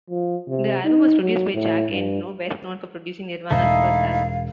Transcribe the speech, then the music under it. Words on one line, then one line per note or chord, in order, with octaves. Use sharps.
The album was produced by Jack Endino, best known for producing Nirvana's first album.
F3
C3
D#4
F#3
A2
G2
E1 A3 D#4 E4 F5